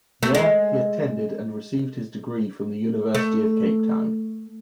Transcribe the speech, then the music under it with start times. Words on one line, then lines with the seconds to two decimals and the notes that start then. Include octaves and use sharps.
There he attended and received his degree from the University of Cape Town.
0.23 A3
0.35 G#3
3.15 A3